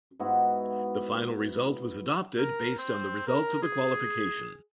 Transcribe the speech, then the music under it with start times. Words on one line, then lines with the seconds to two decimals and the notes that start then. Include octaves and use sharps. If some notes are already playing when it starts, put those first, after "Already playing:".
The final result was adopted based on the results of the qualification.
0.19 G#2 B3 E4 F#4
2.37 A#4
2.78 C4
3.27 A#4
3.62 G#4